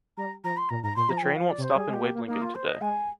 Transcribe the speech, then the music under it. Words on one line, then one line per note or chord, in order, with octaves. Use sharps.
The train won’t stop in Waiblingen today.
G3 A#5
F3 A#5
C6
A#2 A#5
G#2 A#5
A#2 C6
F3 A#5
G#5
F3 G5
F3 F5
D5
C3
C5
G3 G#4
G#3
G4
A#3
A#3
A#3 D#4
F4
C5
D#5
G#3 G#5